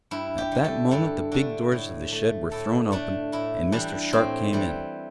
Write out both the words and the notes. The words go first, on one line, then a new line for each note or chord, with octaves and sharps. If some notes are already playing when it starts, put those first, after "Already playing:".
At that moment the big doors of the shed were thrown open, and Mr. Sharp came in.
G2 E4
G4
D3 A3
A4
G2 A4
D3 A3
A2
A3
A2 A4
A3 D4
A2 E4
E3 G3 D4
A2 C4
E3 G3